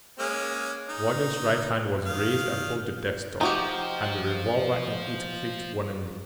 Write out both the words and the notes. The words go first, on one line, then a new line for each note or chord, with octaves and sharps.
The warden's right hand was raised above the desk top, and the revolver in it clicked warningly.
G#3 A#3 C#4
D#4
D#3 F5
F3 D#4 F#4 G4